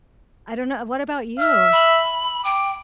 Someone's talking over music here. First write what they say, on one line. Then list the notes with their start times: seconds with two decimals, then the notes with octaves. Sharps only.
I don't know What about you?
1.40 E5 F6
1.72 B5
2.44 G5 D6